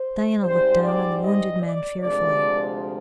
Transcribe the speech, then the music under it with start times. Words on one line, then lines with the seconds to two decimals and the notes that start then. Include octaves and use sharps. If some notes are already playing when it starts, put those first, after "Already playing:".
Diana looked down on the wounded man fearfully.
Already playing: C5
0.43 G#2 G3 C4 C5
0.83 D5
1.23 D#5
1.62 D5
2.01 D2 C3 F3 G#3 D5